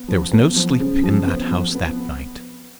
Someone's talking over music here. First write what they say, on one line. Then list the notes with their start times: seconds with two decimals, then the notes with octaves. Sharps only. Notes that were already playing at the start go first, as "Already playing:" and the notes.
There was no sleep in that house that night.
Already playing: B3
0.08 F3
0.32 B3
0.56 F3
0.80 C#3
1.04 F3
1.27 B3
1.51 F3
1.75 B3